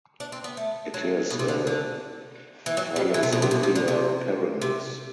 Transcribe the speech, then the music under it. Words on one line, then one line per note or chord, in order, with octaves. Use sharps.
It is a philosophia perennis.
D4
C4
B3
A3
F#3
B2
C3
D3
D3
E3
F#3
G3
E3
C3
B2
C3
B2
C3
D3
C3
C3